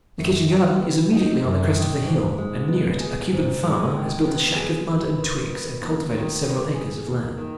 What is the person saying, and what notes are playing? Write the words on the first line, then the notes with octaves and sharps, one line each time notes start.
The kitchen-garden is immediately on the crest of the hill, and near it a Cuban farmer has built a shack of mud and twigs and cultivated several acres of land.
F#2
D#3
B3
D#4
F#2
D#3
G#2
G#3
B3
G#4
G#2
G#3
D#3
B3
G#4
B4
D#3
B3
D#2
D#3
B3
G#4
D#2
D#3